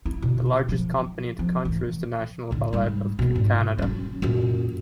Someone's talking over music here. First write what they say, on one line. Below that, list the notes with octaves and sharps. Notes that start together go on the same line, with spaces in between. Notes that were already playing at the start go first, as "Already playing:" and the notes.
The largest company in the country is The National Ballet of Canada.
E4
B2 D3
F3 F#3
F3
G#2 E3
A2 D3
G#2 G3
B2 B3
G#2
F#3 C#4
F#2 A#2